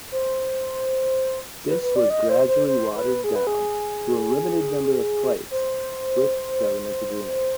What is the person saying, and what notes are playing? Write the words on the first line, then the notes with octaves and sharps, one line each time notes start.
This was gradually watered down to a limited number of flights with government agreement.
C5
B4
B4
D5
D#5
C5
C5
C5
B4
G#4
B4
G#4
C5